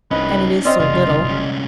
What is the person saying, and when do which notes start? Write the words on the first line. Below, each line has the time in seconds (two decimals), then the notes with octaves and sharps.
And it is so little!
0.11 C2 C#4 D#4 B4 D#5
0.65 C4 F4 D5 D#5
0.80 F#1 C2 C#3 F4
1.24 C2 C#4